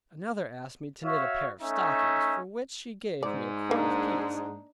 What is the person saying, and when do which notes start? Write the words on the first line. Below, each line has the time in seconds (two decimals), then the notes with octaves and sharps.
Another asked me to knit a pair of stockings, for which she gave me a quart of peas.
1.04 F#4 C#5 E5 F5
1.62 A3 C#4 D#4 E5
3.23 G#2 D5
3.71 A#3 D4 D#4